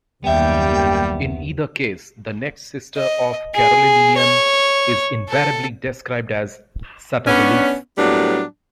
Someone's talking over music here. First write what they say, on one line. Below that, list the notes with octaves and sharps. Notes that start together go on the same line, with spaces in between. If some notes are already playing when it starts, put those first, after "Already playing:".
In either case, the next sister of Carolinian is invariably described as Satawalese.
F#1 D#2 G3 B3 E5 G5
D#5
G#4
C#5
A4
B3 C#4 D4
A2 F#3 G3 A#3 B3 D4